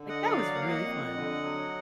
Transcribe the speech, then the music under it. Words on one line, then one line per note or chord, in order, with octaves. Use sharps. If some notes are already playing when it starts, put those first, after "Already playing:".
"Like, that was really fun!"
Already playing: D3
D#5 F#5
F#3
D5 F5
A#3 F#5
F5
D#5 F#5
F2
D3
F#3